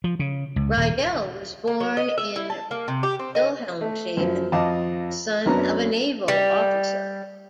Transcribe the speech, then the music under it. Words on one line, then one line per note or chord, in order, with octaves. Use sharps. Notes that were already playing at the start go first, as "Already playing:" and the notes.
Riedel was born in Wilhelmshaven, the son of a naval officer.
F3
C#3
C#2
D#1
A#3
F#3
D#5
E5
E4
A5
A#3
C3
G4
C4
D#4
A3
F#2 F3
F2 F4 D#5 F5 A5 D6
F#2 B3 C#4 D4 A#5
G3